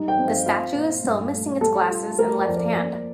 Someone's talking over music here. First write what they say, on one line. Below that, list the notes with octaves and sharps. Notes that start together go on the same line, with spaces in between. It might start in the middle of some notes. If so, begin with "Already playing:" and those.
The statue is still missing its glasses and left hand.
Already playing: G3 D#4
G5
C4
F5
F4 F5
A#2
G2
A3
G3 A4
F4
A3 A#4
D5
F2
D5
A#3